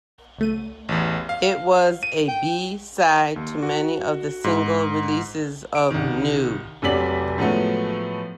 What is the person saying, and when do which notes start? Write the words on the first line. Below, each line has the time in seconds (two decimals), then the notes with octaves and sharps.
It was a B-side to many of the single releases of "New".
0.38 C#2 A3 D#7
0.89 A1 E2
1.29 F5
2.03 D#7
2.28 G5
3.36 D#2
3.62 F#4
4.44 G#2
5.75 D7
5.90 C2 D#3
6.82 F1 C3 F#3 D5 B6 F#7
7.38 A2 F3 F#3 G#3 A3 B3